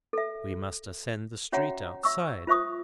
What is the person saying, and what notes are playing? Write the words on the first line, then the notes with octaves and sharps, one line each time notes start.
We must ascend the street outside.
A4 E5
C#4 F#4 C#5 E5 F#5 A#5
E5 C#6 E6
F4 C5 E5 C#6 D#6